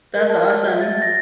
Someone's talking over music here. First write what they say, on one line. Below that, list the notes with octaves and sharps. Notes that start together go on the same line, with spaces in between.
that's awesome.
A#4
A5
C#5
E5
A6
A#6